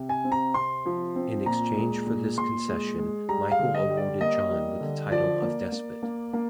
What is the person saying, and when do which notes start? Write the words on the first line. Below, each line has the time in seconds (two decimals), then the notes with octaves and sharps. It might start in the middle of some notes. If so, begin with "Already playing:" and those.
In exchange for this concession, Michael awarded John with the title of Despot.
Already playing: C3
0.09 G#5
0.24 C4
0.32 A#5
0.54 C3 C6
0.86 F3
1.16 C4
1.46 A#2 A#5
1.77 G#3
2.07 A#2
2.38 A#2 C6
2.68 G#3
2.99 G#3
3.29 G3 A#5
3.51 F5
3.59 D3
3.75 D#5
3.90 G3
3.97 D5
4.21 A#3 D#5
4.51 G3
4.81 D3
5.11 F3 D5
5.42 A#3
5.72 A#3
6.03 A#3
6.33 A#3